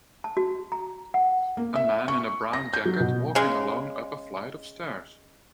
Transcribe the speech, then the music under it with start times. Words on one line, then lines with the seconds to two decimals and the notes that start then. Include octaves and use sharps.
A man in a brown jacket walking alone up a flight of stairs.
0.24 A5
0.37 F#4
0.72 A#5
1.14 F#5
1.57 A#3
1.76 E5
2.08 C#6
2.53 A#6
2.74 G6
2.86 F#3
3.00 B2
3.35 C#3 G#3